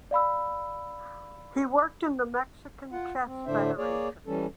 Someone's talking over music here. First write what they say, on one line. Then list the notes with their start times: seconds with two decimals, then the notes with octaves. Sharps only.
He worked in the Mexican Chess Federation.
0.11 D5 F5 B5 E6
2.92 F4 F#5
3.26 C4
3.46 A2 D3 D4 C5 E5
3.78 A#3 G#4 C#5 D5
4.27 E3 G3 C#4 A4